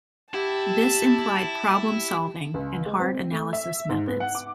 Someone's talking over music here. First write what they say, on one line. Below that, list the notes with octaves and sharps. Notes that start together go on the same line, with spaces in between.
This implied problem-solving, and hard-analysis methods.
E4 G4 A5
C#2
G#3
C4
A3
E5
G#2
B3
F#5
D6